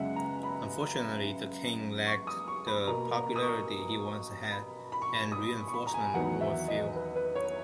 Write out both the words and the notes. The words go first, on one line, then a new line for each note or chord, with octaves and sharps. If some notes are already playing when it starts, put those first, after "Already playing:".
Unfortunately, the King lacked the popularity he once had, and reinforcements were few.
Already playing: F#2 C#3 G#3 B3 E5 F#5
A#5
B5
C#6
D#6
C#6
B5
B2 A#3 A#5
A#5
D#6
C#6
B5
B5
C#6
B5
D#6
C#6
B5
A#5
G#5
E2 D#3 F#3 B3 F#5
E5
D#5
B4
B4
C#5